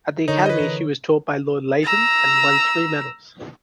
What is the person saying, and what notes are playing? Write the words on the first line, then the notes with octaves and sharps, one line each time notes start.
At the Academy she was taught by Lord Leighton and won three medals.
D3 D#4 A#4 C#5
B4 D#5
E3
A#5 E6